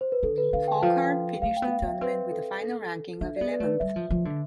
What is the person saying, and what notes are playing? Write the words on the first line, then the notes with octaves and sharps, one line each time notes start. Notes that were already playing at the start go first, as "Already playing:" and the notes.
Folkard finished the tournament with a final ranking of eleventh.
C5
B4
D3 A4
B4
D3 F5
G5
F3 F5
A3 F5
G5
B3
F5
B3
E5
C4 B4
A4
A4
D4 E5
B3 D5
B4
A3
B4
G3 E5
F3
F3
D3